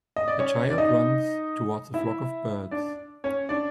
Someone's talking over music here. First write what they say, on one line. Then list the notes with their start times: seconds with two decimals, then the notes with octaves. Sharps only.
A child runs towards a flock of birds.
0.16 D#5
0.28 D5
0.39 C#4 C#5
0.70 D5
0.78 D#4 D#5
1.94 E4 E5
2.71 D4 D5
3.24 C#4 C#5
3.49 D4 D5